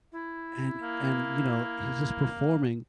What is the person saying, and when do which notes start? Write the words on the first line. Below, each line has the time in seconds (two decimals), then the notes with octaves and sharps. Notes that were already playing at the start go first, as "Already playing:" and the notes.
and and, you know, he's just performing,
0.12 E4
0.82 A#3